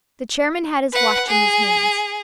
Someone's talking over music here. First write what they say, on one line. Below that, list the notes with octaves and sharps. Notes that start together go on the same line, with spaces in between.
The chairman had his watch in his hands.
B4 F#5
G#4